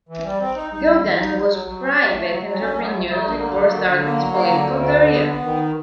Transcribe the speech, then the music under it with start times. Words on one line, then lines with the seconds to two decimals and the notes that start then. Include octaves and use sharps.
Gogan was a private entrepreneur before starting his political career.
0.09 E3
0.24 G3
0.40 C4
0.56 D#4
0.71 D#4
0.87 G3
1.03 E3
1.19 D#4
1.35 F#3
1.50 F#3
1.66 F#3
1.82 C#4
1.98 F#3
2.13 A3
2.29 F#3
2.44 F#3
2.61 C#4
2.76 F#3
2.92 A3
3.07 A3
3.24 D3
3.39 A#3
3.54 F#3
3.71 D3
3.86 D3
4.03 A#3
4.18 F#3
4.34 A#3
4.49 D3
4.65 D2
4.81 D3
4.96 D3
5.12 B3
5.28 B3
5.43 D#3